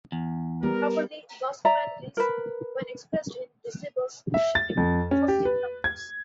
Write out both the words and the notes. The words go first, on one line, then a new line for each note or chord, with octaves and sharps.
Properly, loss quantities, when expressed in decibels, should be positive numbers.
E2
G3 B3 A#4
D5 E5 A#5
A#4 B4
E5
A6
F2
C#4
G4
B4
G#6